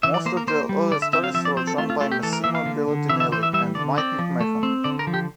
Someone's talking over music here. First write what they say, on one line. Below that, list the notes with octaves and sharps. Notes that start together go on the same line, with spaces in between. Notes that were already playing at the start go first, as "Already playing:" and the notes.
Most of the early stories were drawn by Massimo Belardinelli and Mike McMahon.
E3 E5
D5
A#3 C5
A#4
A#3 C5
G3
D3 D5
E5
C4 E5
F5
F3 E5
D5
C4 C5
A4
A3 F4
F4
A3 F4
G4
E3 A4
A#4
A#3 E5
F5
D3
D3
E3 E5
E5
E3 C5
E5
G3 E5
D3 D5
C4 D5
F3
A3
C4
D3 D5
A#4
F3
G4